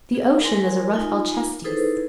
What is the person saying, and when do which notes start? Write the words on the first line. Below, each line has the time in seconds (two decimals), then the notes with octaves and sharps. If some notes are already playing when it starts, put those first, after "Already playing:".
The ocean is a rough Alcestis.
0.15 G#4
0.42 A#4 G#5 C6
0.94 D#4 F4 G#5
1.64 D#4 E4 G#4 A4 B4 C5